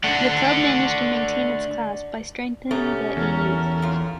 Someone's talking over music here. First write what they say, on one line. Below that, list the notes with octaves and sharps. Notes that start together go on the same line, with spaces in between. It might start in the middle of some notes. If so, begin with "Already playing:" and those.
The club managed to maintain its class by strengthening the A-youth.
A3 D4 D5 F#5
B2 A3 C#4 G4 A#5
E2 A4 A#4
F2 F4